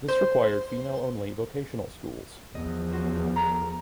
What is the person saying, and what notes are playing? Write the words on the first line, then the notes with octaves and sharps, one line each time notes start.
This required female only vocational schools.
C5
E2 F3 D#5
C#4 F#4 C5
A4 A#4 A#5